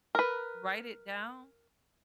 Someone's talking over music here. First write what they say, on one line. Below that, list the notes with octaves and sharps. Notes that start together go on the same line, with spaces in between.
write it down,
A#4 B4